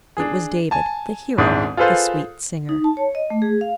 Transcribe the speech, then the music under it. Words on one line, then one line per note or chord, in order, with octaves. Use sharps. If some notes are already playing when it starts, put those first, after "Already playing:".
It was David, the hero, the Sweet Singer.
D4 G#4
G#5 A5
D#1 G#1 G#2 D4 E4 D#6
F4 G#4 A4 B4 C5 F5
D#4
A5
C#5
D#5
A3
G#4
F5